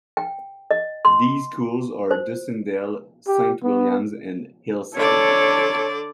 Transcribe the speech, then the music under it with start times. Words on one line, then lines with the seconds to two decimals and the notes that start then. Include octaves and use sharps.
These schools are Dussindale, Saint Williams and Hillside.
0.17 G5
0.71 D#5
1.05 C6
2.11 C5
3.28 G4
3.63 B3
4.96 D3 A4 C#5 D5